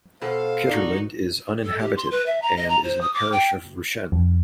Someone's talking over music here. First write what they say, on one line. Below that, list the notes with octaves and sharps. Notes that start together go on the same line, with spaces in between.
Kitterland is uninhabited and is in the parish of Rushen.
B2 A4 C5 F5
D#4 F#4 D5
A4
G4
C6
B4
E5
A#5
D#5
A#5
C5
D#6
D6
G5
F2